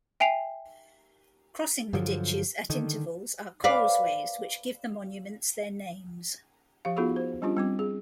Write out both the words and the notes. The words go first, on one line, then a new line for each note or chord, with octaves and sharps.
Crossing the ditches at intervals are causeways which give the monuments their names.
E5 G5 G#5 C7 F7
G2 D3 F3 F#3
D3 D#3
B4 D5 F5
F3 G4 F5
B3 D#4 F4 F#4 G#4 A4
C5
G3 C#4 D4 F4 G4
G3 C4 D6
G#4